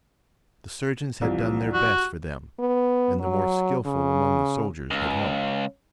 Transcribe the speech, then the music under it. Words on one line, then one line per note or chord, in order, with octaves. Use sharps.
The surgeons had done their best for them and the more skillful among the soldiers had helped.
C2 E3 F3
F#4
B3
F#3
C#3
C#2